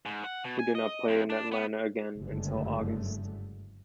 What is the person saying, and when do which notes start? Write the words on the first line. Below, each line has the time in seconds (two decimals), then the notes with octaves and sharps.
He did not play in Atlanta again until August.
0.06 G#2
0.24 F#5
0.44 B2
0.59 G#5
0.75 D#5
1.08 F2
1.30 D4
1.52 B3
2.20 F#1 G2 D3 G#3 A3